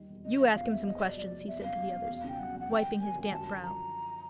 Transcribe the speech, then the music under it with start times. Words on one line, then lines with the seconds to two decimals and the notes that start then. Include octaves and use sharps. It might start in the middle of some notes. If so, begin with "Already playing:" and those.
"You ask him some questions," he said to the others, wiping his damp brow.
Already playing: D#2 D#3 G3
0.09 E1
0.25 C#3 D#5
0.39 F3 E5
0.55 E2 F5
0.71 E2 E5
0.86 E2 D#5
1.01 B2 D5
1.17 F#3 D#5
1.21 D5
1.31 F1
1.47 E2 E5
1.63 C#3 F5
1.78 F#3
1.93 E1
2.09 E2
2.24 C#3 G5
2.39 F#3 F#5
2.54 F1
2.60 F#5
2.70 D3 G5
2.86 G3
3.00 A#3 G#5
3.15 F#2
3.22 G#5
3.32 F#2 A5
3.47 D3
3.62 F3 A#5